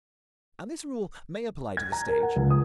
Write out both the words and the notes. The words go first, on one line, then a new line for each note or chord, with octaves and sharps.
And this rule may apply to the stage.
G#6
A#5
A#4
F#5
C#2
D#6